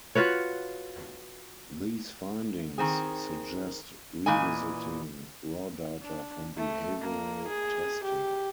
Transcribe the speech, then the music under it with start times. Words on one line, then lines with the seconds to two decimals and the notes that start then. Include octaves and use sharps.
These findings suggest revisiting raw data from behavioral testing.
0.15 F4 F#4 B4 C#5
2.78 D#3 C4 G#4
4.26 A#2 E3 D#5 G#5
6.03 D4
6.57 A3
7.01 A#3
7.49 G#4
8.04 G4